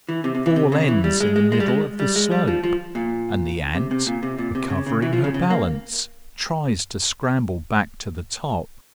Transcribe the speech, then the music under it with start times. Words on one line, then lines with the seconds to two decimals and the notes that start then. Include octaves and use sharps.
The fall ends in the middle of the slope; and the Ant, recovering her balance, tries to scramble back to the top.
0.09 E3
0.24 C3
0.35 C3
0.46 E3
0.56 C3
0.72 C#3
0.88 E3
1.04 G3
1.20 G#3
1.36 G#3
1.52 G#3
1.60 G3
1.68 G#3
2.00 G3
2.16 G#3
2.31 G3
2.47 F3
2.63 F3
2.95 A#2
3.75 C3
3.91 C3
4.07 A#2
4.23 C3
4.38 A#2
4.55 C3
4.70 C#3
4.86 C#3
5.02 E3
5.13 F3
5.24 C#3
5.34 C#3
5.50 A#3